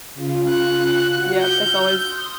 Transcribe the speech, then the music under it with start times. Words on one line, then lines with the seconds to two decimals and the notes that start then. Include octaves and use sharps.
Yep, it's always
0.14 C#3 F4
0.49 F#6
1.08 F#4 C#7
1.41 E6 F6 G6
1.99 C6 D#6